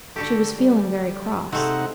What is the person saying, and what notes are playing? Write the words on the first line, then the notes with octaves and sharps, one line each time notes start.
She was feeling very cross.
D3 F#4 G4 A4
G3
C3 G#3 A3 C4 D#4 F#5